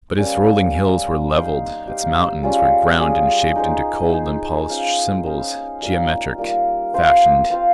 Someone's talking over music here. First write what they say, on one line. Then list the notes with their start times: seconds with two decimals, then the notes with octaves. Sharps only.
But its rolling hills were leveled, its mountains were ground and shaped into cold and polished symbols--geometric, fashioned.
0.17 G3 A#3 C#4
0.74 G3 A#3 C#4
1.30 D#4 G4 C5 F5
1.87 D#4 G4 C5 F5
2.43 G3 C#4 F4 G#4
2.99 G3 C#4 F4 G#4
3.55 D#4 G#4 C5
4.13 D#4 G#4 C5
4.69 C#4 F4 C5 D#5
5.25 C#4 F4 C5 D#5
5.82 G3 A#3 F4 A#4
6.38 G3 A#3 F4 A#4
6.94 C4 F4 C5 F5
7.50 C4 F4 C5 F5